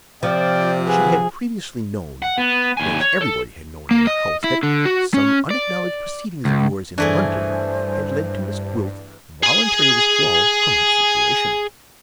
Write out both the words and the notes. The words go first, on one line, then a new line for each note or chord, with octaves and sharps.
She had previously known, as everybody had known in the house, that some unacknowledged proceedings of yours in London had led to Miss Gwilt's voluntary withdrawal from her situation.
C3 F3 D5 G5
G#4 B4 F5 F#5
F#5
B3
D#2 G#5
C#5
A4
A#3
D#5
E4
D3
F#4
C#4
D5
C#2
G2 E3 A3 D4 G#4 C5
G#4 G#5